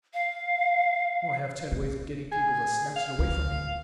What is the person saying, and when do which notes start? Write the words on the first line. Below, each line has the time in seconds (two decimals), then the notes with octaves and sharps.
I have ten ways of getting people to snatch it away from me.
0.14 F5
1.72 A3
2.32 G#4
2.96 F5
3.19 D2